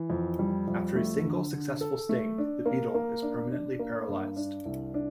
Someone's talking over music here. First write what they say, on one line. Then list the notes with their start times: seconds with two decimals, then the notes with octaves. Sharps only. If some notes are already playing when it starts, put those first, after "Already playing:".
After a single successful sting, the beetle is permanently paralyzed.
Already playing: E3
0.10 F2
0.39 G3
0.68 F2
0.95 A3
1.24 D3
1.53 D3
1.81 A4
2.09 A3
2.38 D4
2.66 A#3
2.94 A#3
3.22 D4
3.52 D4
3.79 A#3
4.08 G2
4.36 D4
4.65 C2
4.94 D4